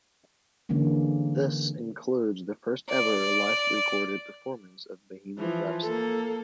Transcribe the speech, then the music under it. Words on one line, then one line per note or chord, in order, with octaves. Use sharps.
This includes the first ever live recorded performance of "Bohemian Rhapsody".
D3 E3 G#3 A#3 C#4
D5
E3 F3
A#3 A4